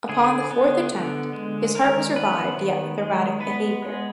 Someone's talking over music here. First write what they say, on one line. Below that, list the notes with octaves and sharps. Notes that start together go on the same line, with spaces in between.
Upon the fourth attempt his heart was revived yet with erratic behavior.
D3 G#4
B3
D3
G#3
D#3 A#4
B3 B4
D#3
G#3
B3 B4
G#3